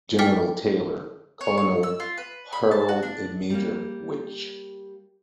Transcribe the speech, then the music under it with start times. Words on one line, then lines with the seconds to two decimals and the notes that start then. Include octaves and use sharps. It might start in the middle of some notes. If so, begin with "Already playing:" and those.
General Taylor, Colonel Harrold and Major Wich.
0.19 G5 G#5 D6 F6 A6 B6
1.41 C#5
1.57 C#5
1.83 E6
2.00 F4
2.18 B4
2.53 B5
2.71 A5
2.89 F#4
3.03 D4
3.50 G3 A#3